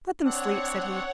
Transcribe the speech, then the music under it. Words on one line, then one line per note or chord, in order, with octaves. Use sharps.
"Let them sleep," said he.
C4 D4 C#5 F#5